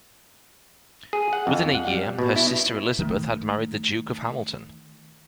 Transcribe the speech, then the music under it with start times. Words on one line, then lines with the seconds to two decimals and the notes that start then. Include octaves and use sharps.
Within a year, her sister Elizabeth had married the Duke of Hamilton.
1.13 G#4
1.33 F#5
1.47 F2
1.75 F#5
1.87 G3
2.18 B2
2.36 E4
2.99 D#3 A3